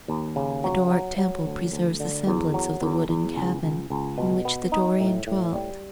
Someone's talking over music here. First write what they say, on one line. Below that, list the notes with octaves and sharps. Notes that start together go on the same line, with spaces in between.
The Doric temple preserves the semblance of the wooden cabin in which the Dorian dwelt.
D#2
C#3
F#3
F#3
F#3
D2
D2
D3
E2
F#3
E2
E2
C#2
C#2
C#2
B2
B3
D#4
A2
A2
G3